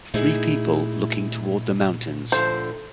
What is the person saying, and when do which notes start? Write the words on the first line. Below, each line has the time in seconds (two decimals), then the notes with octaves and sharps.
Three people looking toward the mountains.
0.14 A#2 A3 D#4 E4 G#4
2.32 D2 D3 F3 C5